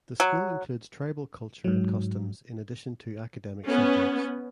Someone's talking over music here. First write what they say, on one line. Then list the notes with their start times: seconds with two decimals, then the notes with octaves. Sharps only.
The school includes tribal culture and customs in addition to academic subjects.
0.20 F#3
1.64 G#2 F#3
3.66 B3 C#4